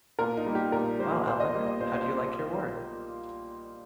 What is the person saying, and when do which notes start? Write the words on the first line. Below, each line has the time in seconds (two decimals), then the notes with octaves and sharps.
Well, Alec, how do you like your ward?
0.19 A#2 A#4
0.37 D#4
0.46 G3 A#3
0.55 G4
0.72 A#2 A#4
0.99 G3 A#3 C5
1.26 A#2 C5
1.40 D#5
1.53 G3 A#3
1.67 D#5
1.80 A#2 C5
1.94 C5